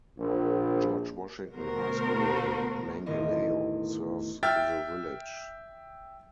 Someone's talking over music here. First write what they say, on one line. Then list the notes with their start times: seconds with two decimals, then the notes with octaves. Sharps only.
George Washington High School in Mangilao serves the village.
0.18 A#1
1.51 D2 B2 B3 F#4 A#4 C5
3.06 E1 A1 A2 D#3 D#5
4.43 E5 G5 F6 A6